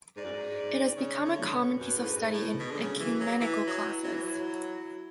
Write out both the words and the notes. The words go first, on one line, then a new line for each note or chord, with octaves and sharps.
It has become a common piece of study in ecumenical classes.
G#2 D5
F#2
G#2
D5
C#3 C#5
D3
B2
F#2 B4
A2
G#2
G#2 A4
A2
B2 G#4
D3
C#3
E3 F#4
F#3
E3 E4
F#3
F#3
E3
F#3